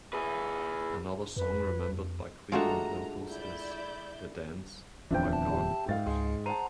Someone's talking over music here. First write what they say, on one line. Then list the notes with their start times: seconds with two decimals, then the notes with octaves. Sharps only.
Another song remembered by Cleveland locals is "The Dance" by Garth Brooks.
0.13 G#4 B4
1.36 F2 B4
2.52 G#3 A3 D4 F4 F#4 A4 A#5
3.30 E4 D5 G6
5.11 D1 E2 F3 C4 D4 E5 G5
5.33 A5
5.53 G4
5.89 G#2 F5 A6
6.06 C#2 G#3
6.46 C5 F#5 A5 A#5 D#7